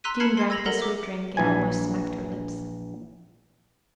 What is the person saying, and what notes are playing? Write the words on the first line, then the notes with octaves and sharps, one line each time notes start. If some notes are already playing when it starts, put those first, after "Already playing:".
Jean drank the sweet drink and almost smacked her lips.
A#5 C6 E6 F#6 B6 D#7
A5 B5 F6 G#6 C7 C#7
C6 G#6 C7
E6 G#6 A#6 F7 F#7
A4 A#4 F#5 A#5 F6 A#6
E5 D6
A#1 E3 G#5